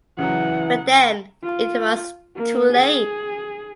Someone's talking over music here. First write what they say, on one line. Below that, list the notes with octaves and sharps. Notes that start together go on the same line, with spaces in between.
But then it was too late.
C#3 E3 F#3 F#5
F4
A#3
G#4